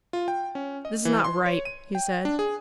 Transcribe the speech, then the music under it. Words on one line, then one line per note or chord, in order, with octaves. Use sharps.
"This is not right," he said.
F4
G5
C#4
D#5
E3
C6
C#5
D#7
G5
D4
G#4